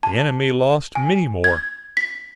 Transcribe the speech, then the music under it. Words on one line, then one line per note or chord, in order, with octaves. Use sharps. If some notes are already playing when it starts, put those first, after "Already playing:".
The enemy lost many more.
A5
G#5
G#6
B6